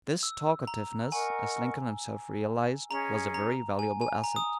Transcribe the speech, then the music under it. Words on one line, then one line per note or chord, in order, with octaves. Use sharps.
This talkativeness, as Lincoln himself realized, was a very valuable asset.
E6
A#5
A#4 D#5 F#5 G#5 C#6
C#4 G#4 D#5 A#5
A#5
G#5
G#5
A#5
D#6